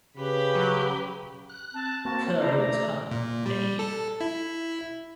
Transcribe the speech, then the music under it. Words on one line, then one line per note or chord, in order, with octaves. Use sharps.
Curb Your Tongue, Knave!
C#3 G4 B4 B5
F#3
F#6
C4 A5
A#3 C4 F#4 A5
E4 C5 D5 A#5
A3 A#5
A#2
G3
A4
E4